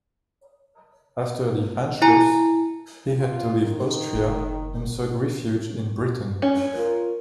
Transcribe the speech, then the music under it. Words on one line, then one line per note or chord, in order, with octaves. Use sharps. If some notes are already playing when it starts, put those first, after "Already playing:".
After the "Anschluss" he had to leave Austria and sought refuge in Britain.
E4 G#5 A#5
F4
D#3
F#1
C#4
F4 A#4